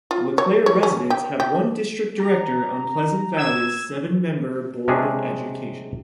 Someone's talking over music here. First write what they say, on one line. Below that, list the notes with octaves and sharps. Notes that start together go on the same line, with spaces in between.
LeClaire residents have one district director on Pleasant Valley's seven-member board of education.
F4
C#5
C#5
C#4
G4
G4
A#5
E6 G#6 E7
C3 G#3 C#4 D4 G#4